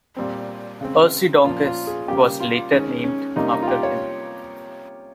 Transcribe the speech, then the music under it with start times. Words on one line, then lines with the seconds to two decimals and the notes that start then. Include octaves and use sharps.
"Ursidongus" was later named after him.
0.17 A#2 G3 C4
0.81 C#3 G#3 C4
1.44 A#2 F3 A#3 C#4 F4
1.66 F4
1.87 G#4
2.08 C#3 G3 A#3 C#4 G4
2.40 F4
2.72 D#3 G#3 C#4
3.04 C#4
3.36 C3 G3 A#3 C#4 D#4
3.52 D#4
3.63 F4
3.68 G4
3.83 C#5